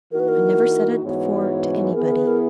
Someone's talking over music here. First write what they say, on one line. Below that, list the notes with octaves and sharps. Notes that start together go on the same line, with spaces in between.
I never said it before--to anybody.
E3 A#3 D#4 F#4 A#4
B4
A#4
G#2 E3 B3 F#4 C#5
E3 B3 E4 G#4 A#4
B4
A#4
B4
A#4